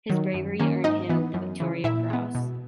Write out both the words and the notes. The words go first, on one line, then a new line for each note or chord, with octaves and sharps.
His bravery earned him the Victoria Cross.
D#3 F#3
F#2
D#3 A#3 C#4
G#2 D#4 D#5
E3 B3
F#2
C#3 E3
A#2 E4 E5
G#3 B3
B2